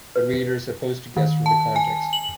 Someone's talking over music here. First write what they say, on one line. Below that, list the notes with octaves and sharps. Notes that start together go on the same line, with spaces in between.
The reader is supposed to guess from the context.
B4
D#3
A5
G#5
F#7